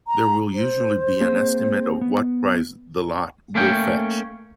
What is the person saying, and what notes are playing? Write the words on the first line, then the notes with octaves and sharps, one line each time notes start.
There will usually be an estimate of what price the lot will fetch.
A#5
C5
A#3 C4 G#4
B3
A3 A#3 C#4 C#5 G5